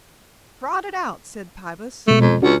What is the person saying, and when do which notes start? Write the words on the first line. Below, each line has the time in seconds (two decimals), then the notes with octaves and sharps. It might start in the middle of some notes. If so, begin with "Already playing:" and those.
"Trot it out," said Pybus.
2.08 B2 G#3 A3
2.21 F2
2.42 C#2 D4 F#4